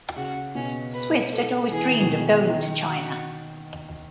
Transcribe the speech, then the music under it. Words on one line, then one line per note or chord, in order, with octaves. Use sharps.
Swift had always dreamed of going to China.
C#3 F#4
B2 C#4
B4
A4
E3 G#4
E3
D#3
B2
D#3
F#4